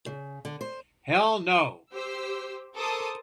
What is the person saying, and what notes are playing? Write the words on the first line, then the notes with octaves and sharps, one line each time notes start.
Hell no!
C#3
D3
C5
G4 C5 E6
A4 A#4 C5 A5 D6 D#6